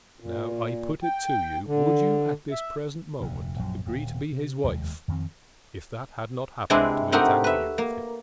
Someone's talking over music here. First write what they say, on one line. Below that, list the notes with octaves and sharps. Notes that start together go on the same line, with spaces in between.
"Now, I put it to you: would you at this present moment agree to be his wife if that had not happened to entangle you with him?"
A#2
G5
D3
E5
F1 D2 A#2
A#1 F#2 F3 F#3
D#1
C3
F1 D#2 C3 G#3
F2 D#3 F3 C4
C3 G#3 C4 D4 E4 B4
A3 C4 D#4 F#4 G4 A#4
B4 E5
A#3